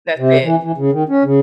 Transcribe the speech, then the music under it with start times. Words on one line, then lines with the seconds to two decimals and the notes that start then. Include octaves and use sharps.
that's it."
0.18 C3
0.43 E3
0.63 E3
0.78 C#3
0.92 D#3
1.09 C#4
1.24 C#3